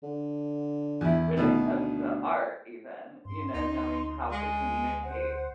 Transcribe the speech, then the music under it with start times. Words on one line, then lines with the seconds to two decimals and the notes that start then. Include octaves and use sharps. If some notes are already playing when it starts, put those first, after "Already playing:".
when it comes to art even, you know, knowing how to communicate
0.03 D3
1.01 E2 E4
1.36 D#1 B2 D#3 A3
1.61 D2
3.25 G2 C6
3.54 D2 D#4
4.32 G#3
5.03 C5 F#5